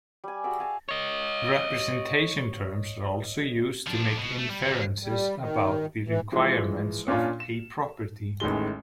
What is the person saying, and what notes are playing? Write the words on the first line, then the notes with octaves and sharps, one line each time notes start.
Representation Terms are also used to make inferences about the requirements of a property.
G3 G#5
F#4 G#4 D5 E5
F5 G#5 A5
C#5 D#5
F3 D4
B2
A3
G3
F2 D3
G3
D#3
E3
E3 F3 G#3
A#2 C#4 D4 F4
E7
A1 A2 D#3 G#3 G7